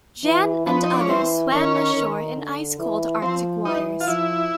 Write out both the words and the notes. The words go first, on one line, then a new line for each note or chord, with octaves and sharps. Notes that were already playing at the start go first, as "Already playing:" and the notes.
Jan and others swam ashore in ice cold Arctic waters.
E3
F3 B3
D#4
D4
C#4
E3 C4
D#3 C#4
D#3
D3
E3
F3 C4
E3 D#4
F4
F3 E4